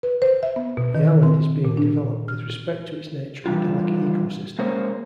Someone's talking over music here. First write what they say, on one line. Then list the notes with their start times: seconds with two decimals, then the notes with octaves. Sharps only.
The island is being developed with respect to its nature and delicate ecosystem.
0.03 B4
0.22 C5
0.43 E5
0.56 B3
0.77 B2
0.95 D#3
1.23 C4
1.65 A#2
1.77 D4
2.28 F6
3.46 E3 G3 D4 F4
4.59 G#3 A#3 C#4 C5